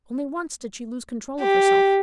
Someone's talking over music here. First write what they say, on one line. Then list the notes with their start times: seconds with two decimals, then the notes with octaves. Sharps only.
Only once did she lose control of herself.
1.40 G4